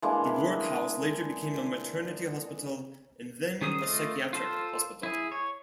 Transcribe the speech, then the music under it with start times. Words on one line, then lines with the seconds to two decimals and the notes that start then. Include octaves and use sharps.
The workhouse later became a maternity hospital and then a psychiatric hospital.
0.02 E3 G#3 A#3 D4
3.61 D#3 C#4 G#4 C5 D#6
3.82 A3 F4 D#5
4.33 F4 A4 C5
5.03 E4 G#4
5.32 C#5